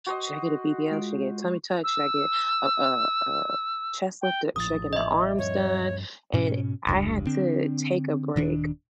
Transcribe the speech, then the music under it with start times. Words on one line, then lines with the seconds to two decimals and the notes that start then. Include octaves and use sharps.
"Should I get a BBL? Should I get a tummy tuck? Should I get a a a chest lifted? Should I get my arms done?" And I had to take a break
0.06 F#4 C5 D#5
0.91 G#3 F4
1.84 E6
4.22 G5
4.56 A1 F3 D#6 A6
4.93 D#5 E5
5.38 G2 F3 G3 C#5
6.34 G#2 B2 C#4
6.87 F1 C#2 G2
7.27 D3 C4 D4
8.36 D#1 D#3 D4